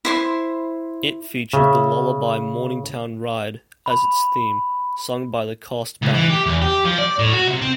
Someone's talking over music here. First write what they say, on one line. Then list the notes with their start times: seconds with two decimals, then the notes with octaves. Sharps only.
It featured the lullaby "Morningtown Ride" as its theme, sung by the cast band.
0.05 E4 C5 C6
1.53 C#3 E5
3.86 B5
6.03 C#2
6.15 E3
6.30 G4
6.46 E2
6.62 G4
6.85 F3
6.98 D5
7.19 A2
7.33 F#4
7.48 C3
7.61 C4